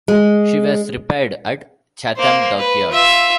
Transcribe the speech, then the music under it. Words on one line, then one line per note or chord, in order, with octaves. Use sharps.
She was repaired at Chatham Dockyard.
G#3
A#3 C5
B4
F4 E5